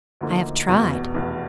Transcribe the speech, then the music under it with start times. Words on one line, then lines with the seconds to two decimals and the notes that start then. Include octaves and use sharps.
I have tried.
0.21 D2 D3 F3 A#3 D#4
0.68 F1 E2 B2
1.14 F1 E2 B2